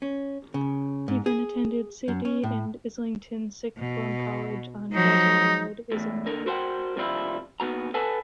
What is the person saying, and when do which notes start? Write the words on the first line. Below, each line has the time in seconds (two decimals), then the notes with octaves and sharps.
He then attended City and Islington Sixth Form College on Goswell Road, Islington.
0.02 C#4
0.54 C#3
1.08 G#2
1.26 G#4
2.08 F#2
2.25 C#4
2.43 A2
3.78 B2
4.92 F3 F#3 D#4
5.92 E2 A2
6.26 D3 A#4
6.46 F#4 A#4 C5 C#5 F#5 G5
6.96 G2 C3 F3 G3 E4 F4
7.60 D#2 D#3 B3 F#4 A#5
7.94 A4 B4 F#5 G#5 A5